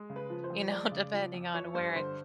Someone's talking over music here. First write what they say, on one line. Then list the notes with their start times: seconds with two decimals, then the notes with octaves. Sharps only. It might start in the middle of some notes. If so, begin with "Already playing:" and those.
you know, depending on where it
Already playing: G#3
0.10 C#3
0.16 B4
0.30 F3
0.44 C5
0.50 F2
0.71 G#3 D5
0.92 C#3
1.13 F3
1.34 F2
1.54 F3 C#5
1.75 G2 C5
1.96 D3 C5